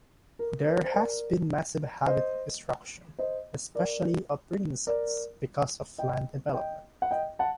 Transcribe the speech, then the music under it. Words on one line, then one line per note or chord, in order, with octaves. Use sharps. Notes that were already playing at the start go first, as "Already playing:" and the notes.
There has been massive habit destruction, especially of breeding sites, because of land development.
A#4
A#4 D5
C5
A#4 D5
C5 D#5
C5 D#5
A#4 D5
A#4 D5
D#5 G5
D#5 G5
F#5
D#5 G5
F#5 A5